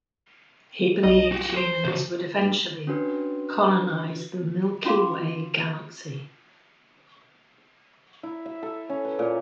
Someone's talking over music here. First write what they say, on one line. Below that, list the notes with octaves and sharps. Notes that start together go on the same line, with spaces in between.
He believed humans would eventually colonize the Milky Way galaxy.
B1 G3 D#5
F#4 G4
C5
C#3 F3 F#4 C5
C#4 D4 F#4 B4
C#4 F4 F#4 F5 C6 D6
E4
E5
A4
C#4
B4
A#2